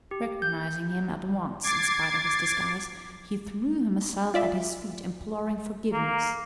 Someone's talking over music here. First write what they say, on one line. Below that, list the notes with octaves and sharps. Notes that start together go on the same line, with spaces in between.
Recognising him at once in spite of his disguise, he threw himself at his feet imploring forgiveness.
G4
G6
D6 G#6 A6 C7
F4 D5 E5
A#3